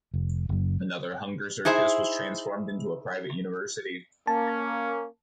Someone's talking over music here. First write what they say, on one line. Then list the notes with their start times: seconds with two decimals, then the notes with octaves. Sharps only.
Another hunger circus was transformed into a private university.
0.14 F1
0.49 F#1 F#2
1.65 D#4 E4 G#4 C5 E5
4.27 A#3 C#4 A5